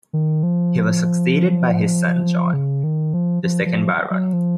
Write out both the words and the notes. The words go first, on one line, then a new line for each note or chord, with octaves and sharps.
He was succeeded by his son John, the second Baron.
D#3
F3
C#3
D#3
F3
F3
F3
F#3
F3